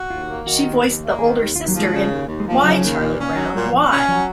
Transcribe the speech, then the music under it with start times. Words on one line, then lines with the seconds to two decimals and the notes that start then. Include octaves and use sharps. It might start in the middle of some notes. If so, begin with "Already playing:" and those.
She voiced the older sister in "Why, Charlie Brown, Why?".
Already playing: F#4
0.10 D#2 F4
0.28 A#3
0.47 D#3 F#4
0.65 D#2
0.83 D#2
1.02 A#3
1.19 D#3 G#4
1.37 D#2
1.56 D#2 F4
1.68 F#3
1.74 F3
1.80 G#3
1.92 C#3
2.09 D#2
2.27 D#2
2.40 G#3
2.46 F3
2.52 A#3
2.63 C#3 F#3
2.82 D#2
3.00 A#2
3.18 C#4
3.36 F#3
3.54 A#2
3.73 A#2 F3
3.91 C#4
4.08 F3 F#3